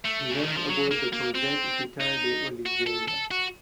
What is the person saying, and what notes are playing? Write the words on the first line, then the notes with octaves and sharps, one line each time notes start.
He went aboard the corvette "Vital de Oliveira".
A3
C#3
D#3
F3
F#3
A#3
A#3
C4
D#4
F#4
A4
A4
F#4